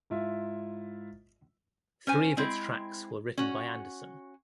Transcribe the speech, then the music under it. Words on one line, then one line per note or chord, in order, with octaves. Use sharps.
Three of its tracks were written by Anderson.
G#2 E4 F4 E5
C#4 C5 G#5
G#3 C4 E4
C#4 F#4